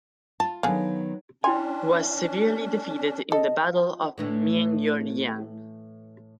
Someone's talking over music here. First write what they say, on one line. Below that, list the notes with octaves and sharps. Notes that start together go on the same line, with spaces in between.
He was severely defeated in the Battle of Myeongryang.
F4 A5
D3 D#3 F#3 B3 G#4 F5
C#4 D4 E4 G5 G#5 C6
A4 D#5
A2 E3 A3